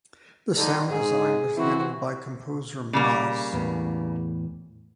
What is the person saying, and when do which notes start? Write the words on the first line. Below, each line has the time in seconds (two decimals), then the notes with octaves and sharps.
The sound design was handled by composer "Maz".
0.57 D3 D#4
0.88 G#2 G#4
1.56 E3 C4 E4 F#4
2.93 C#3 G3 A#3
3.53 E2 A2 B3